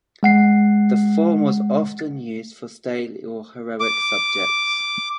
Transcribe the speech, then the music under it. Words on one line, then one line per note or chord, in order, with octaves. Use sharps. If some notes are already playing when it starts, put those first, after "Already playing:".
The form was often used for stately, or heroic subjects.
G#3 F#5 C7
D6